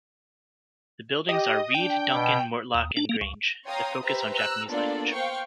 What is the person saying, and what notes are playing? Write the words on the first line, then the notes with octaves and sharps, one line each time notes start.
The buildings are Reade, Duncan, Mortlock and Grange.The focus on Japanese language.
G4 D#5
D4 G5
B2
D#2
D4
A#3
C#2
C#5 F5 G5 A#5 C6 D#6
G4 B4 C5 E5 A#5
A#5 E6 F#6
A#3 B3 D4 F4 A4 D5
C5 F5 G5 C#6